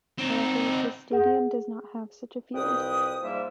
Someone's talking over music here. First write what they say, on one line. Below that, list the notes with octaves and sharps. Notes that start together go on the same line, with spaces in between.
However, this stadium does not have such a field.
C4 D#4
G#4 F#5
C2 F2 B4 G5 D#6
G#2 F3 G3 A#3 E5